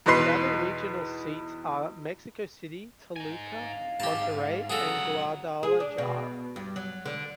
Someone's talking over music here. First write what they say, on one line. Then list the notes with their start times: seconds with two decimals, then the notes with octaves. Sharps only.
The other regional seats are Mexico City, Toluca, Monterrey and Guadalajara.
0.06 E2 B2 D#4 B4 C6
3.16 D#4 G#5
3.60 F5
4.00 G#2 G4 A5
4.70 C#2 F#3 G#4 A4 F#5
5.63 G#4
5.80 D4
5.98 B2
6.56 G2
6.76 F#3
7.06 D3